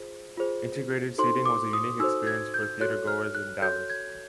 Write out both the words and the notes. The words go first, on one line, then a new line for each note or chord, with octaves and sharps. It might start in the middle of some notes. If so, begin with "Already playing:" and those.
Integrated seating was a unique experience for theatergoers in Dallas.
Already playing: F4 G#4 C5
F4 G#4 C5
D#4 F#4 A4 C5 C6
D6
D#6
D#4 F#4 A4 C5 E6
G#6
G6
F#4 A4 C#5 F#6
F6
F#6
F#4 A4 C#5 G6
G#6